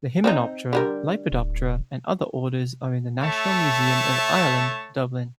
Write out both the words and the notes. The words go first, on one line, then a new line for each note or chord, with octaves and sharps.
The Hymenoptera, Lepidoptera and other orders are in the National Museum of Ireland, Dublin.
C4 D4 D#4
D3 G3 A#4
D1
A3 C#5 E5 A5